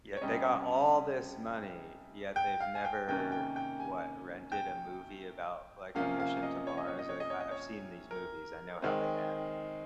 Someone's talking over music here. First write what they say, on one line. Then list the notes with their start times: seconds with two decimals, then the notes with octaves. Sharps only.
Yeah, they got all this money, yet they've never, what, rented a movie about, like, a mission to Mars? Like, I I've seen these movies, I know how they end.
0.17 C#5
0.21 C3 G3 C#4 D#5
2.36 G5
2.61 F5
2.75 G#5
2.85 G5
3.08 C3 D#3 A#3 C#4 G5
3.32 G5
3.56 G5
3.80 G#5
4.52 G5
5.95 C3 F3 A#3 C#4 F5
6.20 F5
6.43 D#5
6.67 C#5
6.77 D#5
6.87 C#5
6.99 D#5
7.09 C#5
7.20 D#5
7.30 C#5
7.40 D#5
7.51 C#5
8.11 A#4
8.82 D#3 G#3 C4